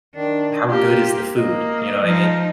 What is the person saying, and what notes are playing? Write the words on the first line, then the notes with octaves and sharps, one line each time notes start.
How good is the food? You know what I mean?
D#3 D4
A#3 F4 G4
A#3 D#5
F3 D#4